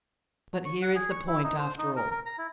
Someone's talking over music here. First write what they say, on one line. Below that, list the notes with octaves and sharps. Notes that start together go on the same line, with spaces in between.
But here is the point, after all.
C#6
F#5
G#4
C#6
E4
D#4
C5
D#4
A#4
A#4
A#5
E4